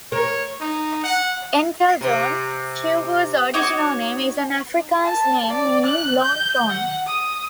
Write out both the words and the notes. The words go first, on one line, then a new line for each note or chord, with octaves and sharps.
Enkeldoorn, Chivhu's original name, is an Afrikaans name meaning "lone thorn".
A#4 C#5
D#4
F#5
C3
D#4 F#4 C#5 D6
A5
D5
F#6
G6
F#5
D#6